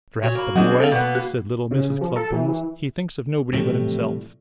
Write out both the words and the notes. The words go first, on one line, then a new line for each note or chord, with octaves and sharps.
'Drat the boy,' said little Mrs. Cluppins. 'He thinks of nobody but himself.
A#2 F#4 C#5
A#3 F#4 B5
F#3 G#3 C4 D4
C4 A4 D5 F5
B2 A#3 B3
F#4
C#3
F3
A4
E3
E3
A2 C3 E3 F3 G3 A3